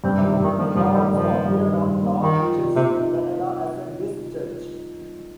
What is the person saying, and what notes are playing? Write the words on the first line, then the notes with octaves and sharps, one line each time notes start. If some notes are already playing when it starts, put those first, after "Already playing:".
He also appeared on "Top Chef Canada" as a guest judge.
G2 C4
C3
D#3
C3
G2 D#3
F3 A#3
G2 F3
D#3 G3
G2 F3
A#3
G2
D#3
G2
A#3
D#3 D#4
F3
C3
C3 A#3
D#4